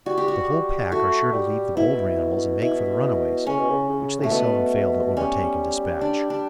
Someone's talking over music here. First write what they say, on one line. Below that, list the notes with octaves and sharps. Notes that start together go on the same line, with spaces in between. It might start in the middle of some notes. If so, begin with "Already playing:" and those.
The whole pack are sure to leave the bolder animals and make for the runaways, which they seldom fail to overtake and dispatch.
G3 F#4
G4
F#4
A3 F#4
G3
B2 E4
B2 E4
C#3 C#4
B2
C#3
C#3
A2 A3
B2 B3
G3 C#4
D4
D4